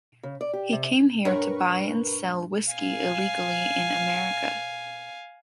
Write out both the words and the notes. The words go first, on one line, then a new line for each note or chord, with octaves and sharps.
He came here to buy and sell whiskey illegally in America.
C#3
D5
G4
C3
G2 D4 A#4 B4 C#5 C#6
F5 G#5